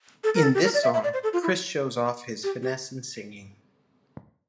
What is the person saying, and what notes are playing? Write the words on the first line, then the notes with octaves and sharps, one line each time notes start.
In this song Chris shows off his finesse in singing.
A4
A#4
A4
G4
A#4
D5
E5
E5
D5
C5
A4
F4
E4
G4
G4